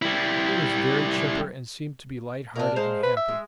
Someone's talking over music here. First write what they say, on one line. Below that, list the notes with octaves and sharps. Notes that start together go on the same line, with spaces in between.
He was very chipper, and seemed to be light-hearted and happy.
G3 E4
A#2 D4 A#4
G#3 C5 F5 A#5
B4
E5
G#3